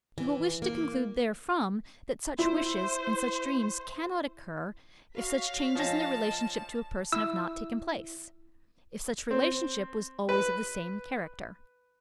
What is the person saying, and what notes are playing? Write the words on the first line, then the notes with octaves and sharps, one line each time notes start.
You will wish to conclude therefrom that such wishes and such dreams cannot occur if such changes in the relationship to a person have not taken place; if such relationship was always of the same character.
E3
A#3
E4 C5
F#4 C#5 F5 B6
F3 C#4 D#5 A5 A#6
E4 E6
C4
B4